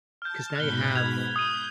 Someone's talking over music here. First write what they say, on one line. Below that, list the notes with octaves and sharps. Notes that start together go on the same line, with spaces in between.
'Cause now you have
A5 F6 G6
G#2 B2 B5 F#6 G7
G#6 F7
D#6 G6 D#7